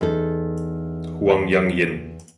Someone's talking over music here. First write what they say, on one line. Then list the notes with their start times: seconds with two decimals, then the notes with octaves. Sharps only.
Huang Yang Yin.
0.01 E2 D#4 A4